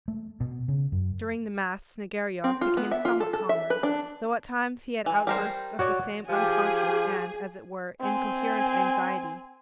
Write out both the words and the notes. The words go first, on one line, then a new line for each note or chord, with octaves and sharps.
During the mass Snegiryov became somewhat calmer, though at times he had outbursts of the same unconscious and, as it were, incoherent anxiety.
A3
B2
C#3
F#2
C4
F4
B3
E5
F4
A4
A4
E5
B4
D4
E3
G3 A#4 C5
F#4 C#5 D5
F3 G4 G#4
C4 G#5